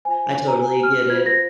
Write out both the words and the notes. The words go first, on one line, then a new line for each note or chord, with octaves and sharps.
I totally get it.
F4 C5 G#5
A#5
G#5
F6
F4 C5 G#6
A#6